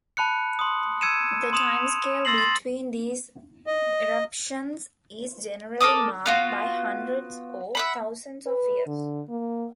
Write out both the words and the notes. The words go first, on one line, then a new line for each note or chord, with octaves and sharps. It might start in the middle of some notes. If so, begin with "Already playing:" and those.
The timescale between these eruptions is generally marked by hundreds or thousands of years.
A5 B5 F#6 C#7
C6 D#6
E6 G#6 C#7 D#7 E7
C6 D#6 E7 F7
C6 E6 A6 A#6 C7 F#7
C6 A6
D#5
A4 A#4 D6 D#6
B3 F4 F#4
E5 F#5 B5
B4
D3
A#3